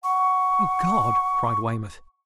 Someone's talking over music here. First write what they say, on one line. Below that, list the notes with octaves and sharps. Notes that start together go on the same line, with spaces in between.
"Oh, God!" cried Weymouth.
F#5 C#6